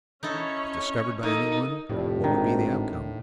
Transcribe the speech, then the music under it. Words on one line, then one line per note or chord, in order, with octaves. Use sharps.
If discovered by any one, what would be the outcome?
C#4 D#4 E4 A4 C#5
A#3 D#4 A4
F1 A2 G4 D5
G#1 D#3 D4